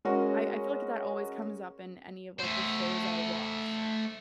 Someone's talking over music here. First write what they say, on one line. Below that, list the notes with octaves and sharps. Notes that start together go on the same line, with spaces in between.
I I feel like that always comes up in any of, like, the shows I watch.
G#3 C#4 F#4 A#4
A3 C5